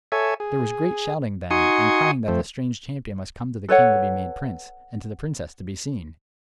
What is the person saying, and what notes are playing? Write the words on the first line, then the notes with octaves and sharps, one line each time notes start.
There was great shouting, then, and crying that the strange champion must come to the king to be made prince, and to the princess, to be seen.
A4 C#5 E5 G#5
G#4
D#4 F#4 G#5 C6 C#6 D#6
F2 A3 C4
A4 B4 C#5 F#5